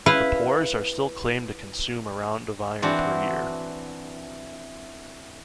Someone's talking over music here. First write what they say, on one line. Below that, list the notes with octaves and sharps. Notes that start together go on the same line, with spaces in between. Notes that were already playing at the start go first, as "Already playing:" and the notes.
The pours are still claimed to consume around of iron per year.
E4 B4 F5
E3 C4 D4 F#4